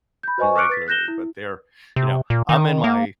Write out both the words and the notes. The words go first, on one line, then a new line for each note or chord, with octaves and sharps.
regularly, but they're, you know I'm in my
B5 G6
F#4 B4 C5 D#5 G#5 C#6
C#6 D6 F6 F#6 C#7 D7
B4 A6 B6
F#6 G6 A#6 E7 G7
E4
C3
A#2
D#3
A#3